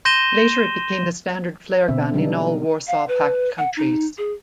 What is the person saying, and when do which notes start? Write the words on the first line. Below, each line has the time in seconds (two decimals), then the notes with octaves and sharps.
Later it became the standard flare gun in all Warsaw Pact countries.
0.05 C6 G6 A#6 D#7 E7 G7
1.88 B2 D3 C4 E5
2.14 D3 F#3 G3 B3 D4 D#4
2.87 F5
3.08 B4
3.58 F#5
3.77 D#4
4.18 G#4